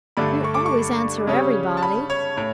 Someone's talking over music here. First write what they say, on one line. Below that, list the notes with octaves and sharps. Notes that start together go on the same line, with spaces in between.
You always answer every body.
G2 D3 A3 D4 B5
C#6
D6
C#6
C#3 G3 C#4
A5
B5
C#5
A2 C#5